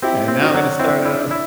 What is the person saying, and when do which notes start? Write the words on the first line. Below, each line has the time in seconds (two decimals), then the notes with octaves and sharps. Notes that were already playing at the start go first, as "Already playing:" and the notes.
And now I'm gonna start off
0.02 C4 E4 G4
0.28 C4
0.41 D4 F#4
0.54 F#3
0.79 C4 E4
0.99 D4
1.05 E4
1.19 D4
1.31 E4